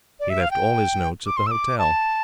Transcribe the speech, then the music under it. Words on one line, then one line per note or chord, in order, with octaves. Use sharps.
He left all his notes at the hotel.
D5
E5
F5
G5
D6
C6
E6
D6
A5